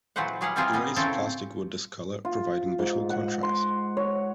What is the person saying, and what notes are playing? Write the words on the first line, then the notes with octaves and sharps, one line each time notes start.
The raised plastic would discolor, providing visual contrast.
A#2 E3 F#3 B4 C5 F#5
F#3 G3 G#4 B4 F5 F#5
E3 G3 C4 F4 G#4 A#4
G3 B3 D#5
C#3 E3 C4 A4 C#5 G5
F4
G#2
F#5
C6
C#5